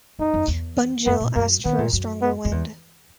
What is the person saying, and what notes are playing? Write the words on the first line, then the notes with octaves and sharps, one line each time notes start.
Bunjil asked for a stronger wind.
F#2 D#4
F#2
E2
F#2 B3
A#2
F#2 A#3
D#3 B3
A#2
F#2
B3
F#2
E2